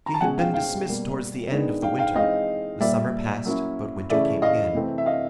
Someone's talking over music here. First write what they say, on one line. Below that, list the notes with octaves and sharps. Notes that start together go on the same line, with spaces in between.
She had been dismissed towards the end of the winter; the summer passed, but winter came again.
A#5
A5
B2 G#3 C#4 F#5 G#5
F5 G5
F5 G5
B2 G3 A#3
D#3 G#3 B3 D4
F5 G5
F5 G5
E3 G#3 C4 D#4 D#5 F5
A#2 G3 A#3 D5 E5
F#3 A#3 C#4 E4
C#3 E3 A3 C#4 E4 D5 E5
E5
D#5 F5
C3 E3 A3 C4
E5
D#5 F5